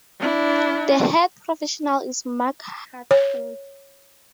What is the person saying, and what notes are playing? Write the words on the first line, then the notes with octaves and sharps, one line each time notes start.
The Head Professional is Mark Heartfield.
D4 E4
C#5